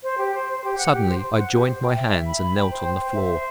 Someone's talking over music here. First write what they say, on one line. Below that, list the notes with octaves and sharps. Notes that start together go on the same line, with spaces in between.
Suddenly I joined my, hands and knelt on the floor.
C5
G4
C5
C5
G4
F#5
G4
C5
C5
F#5
G4
C5
G5
E5
E5
B5
B5
G5
C5
G5
C5
E5
C5